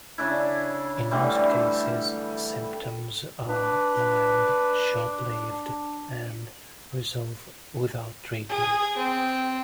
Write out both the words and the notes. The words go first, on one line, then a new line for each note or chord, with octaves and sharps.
In most cases symptoms are mild, short-lived, and resolve without treatment.
C#3 D4 E4
D3 E3 G3 A3
D4 B4
G#4
C4